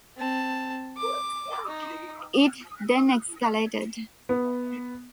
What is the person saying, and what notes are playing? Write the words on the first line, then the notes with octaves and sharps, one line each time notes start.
It then escalated.
C4 A5
D6
D#4
B3